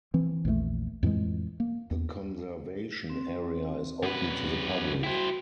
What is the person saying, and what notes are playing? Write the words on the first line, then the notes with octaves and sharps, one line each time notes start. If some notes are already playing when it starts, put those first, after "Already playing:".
The conservation area is open to the public.
E3 C4
A#1 E2 F3 A3
F2 A2 E3 G#3
A#3
E2
C4
F#2 B4
E4 F#4 C5 G5